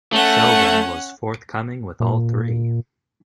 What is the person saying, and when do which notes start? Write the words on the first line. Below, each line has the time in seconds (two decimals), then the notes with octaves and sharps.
Sheldon was forthcoming with all three.
0.13 A3 C#4 F#5
2.00 A#2